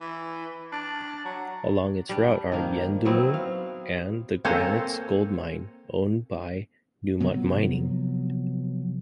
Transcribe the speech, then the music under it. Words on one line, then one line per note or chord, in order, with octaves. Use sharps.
Along its route are Yuendumu and The Granites gold mine owned by Newmont Mining.
E3
D4
F#3
G3 D4
D#3 F3 A#3
F#3 B3 C4 E4
F5
A#3 C4 A4 C5 C#5 G#5
C3 F3 F#3 B3